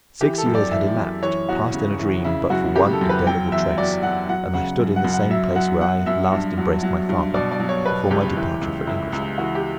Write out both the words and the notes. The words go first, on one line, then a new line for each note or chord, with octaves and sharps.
Six years had elapsed, passed in a dream but for one indelible trace, and I stood in the same place where I had last embraced my father before my departure for Ingolstadt.
E3 G4
A4
F#2
D5
E3 E5
F#2
E3 C#5
E2 F#4
C#3
E3
C#3 E4
F#2 F#4
C#3 G4
A4
F#2
B4
F#3 G5
E2 E5
F#3 D5
F#3 F#5
F#3 F#5
C#3 F#5
F#2
F#5
F#2
F#5
F#3 E5
F#3 F#5
F#2 F#5
F#2 E5
G2
F#3
F#3
G2
B2 D5
D5
F#3
C#5
B2 B4
C#2 G4
E3
C#2
C#2 E4
C#2
E3 F#4
G4